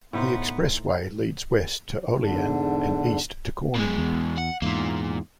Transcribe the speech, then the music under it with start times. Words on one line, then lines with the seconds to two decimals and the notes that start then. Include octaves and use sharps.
The expressway leads west to Olean and east to Corning.
0.13 A2 B3 D#4 C5
2.21 E2 G#2 D3 D4
3.75 B2 G#3
3.98 E2
4.37 F#5
4.62 E2 G#2 A#3 F4